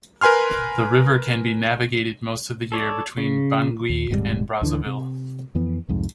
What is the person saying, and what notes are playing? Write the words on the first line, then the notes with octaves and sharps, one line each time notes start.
The river can be navigated most of the year between Bangui and Brazzaville.
A#4 B4 G#5 C6 F6
A4 C#5 D5
C#3
D#2
D#1 G#2 C3 G3
D2 D3 E3
C3
F2 E3 B3
C2 F2 G#2